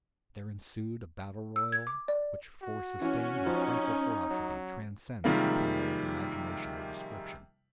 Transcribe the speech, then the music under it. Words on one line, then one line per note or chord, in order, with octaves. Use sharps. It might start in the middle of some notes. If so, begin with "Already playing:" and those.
There ensued a battle royal which for sustained and frightful ferocity transcends the power of imagination or description.
E6
G#6
D6
D5
F#4
E3 C#4
F3 D#4
F#3
C3 D#3 F3 G3 G#3 A#3